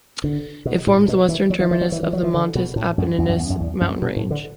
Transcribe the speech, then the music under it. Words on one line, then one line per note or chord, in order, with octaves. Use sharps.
It forms the western terminus of the Montes Apenninus mountain range.
D3
B2
A2
B2
E3
F#3
E3
E3
F#3
E3
E3
F#3
E3
D3
B2
A2
F#2
E2
F#2
E2
F#2
E2
F#2
B2
A2
D3